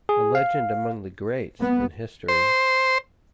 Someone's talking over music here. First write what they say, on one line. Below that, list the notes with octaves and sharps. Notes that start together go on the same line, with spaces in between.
A legend among the greats in history.
G#4
F5
B3
C5